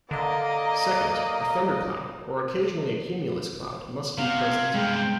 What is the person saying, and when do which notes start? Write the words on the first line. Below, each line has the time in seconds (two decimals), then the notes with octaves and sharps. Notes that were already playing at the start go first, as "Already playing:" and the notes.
Second, a thundercloud, or occasionally a cumulus cloud, must be present.
0.11 D3 A#3 D5 D#5 A#5
4.18 C3 B3 F5
4.41 G#6
4.74 G2 C3 G#3 G5